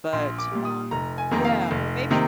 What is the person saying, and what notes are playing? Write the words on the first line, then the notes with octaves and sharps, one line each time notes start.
But, uh Yeah, or maybe
A#1 C6
D6
A#2 G3
D#6
F1 A#5
G#5
F2 C3 D#3 A#3
F5
F1
C3 D#3 A#3